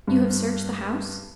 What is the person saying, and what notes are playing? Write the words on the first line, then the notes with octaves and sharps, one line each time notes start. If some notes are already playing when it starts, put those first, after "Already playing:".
"You have searched the house?"
G2